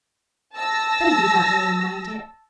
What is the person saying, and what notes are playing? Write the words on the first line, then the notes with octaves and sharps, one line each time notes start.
But he did not really mind it.
A5 E6 A#6